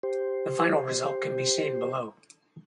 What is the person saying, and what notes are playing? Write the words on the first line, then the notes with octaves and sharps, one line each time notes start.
The final result can be seen below.
G4 C5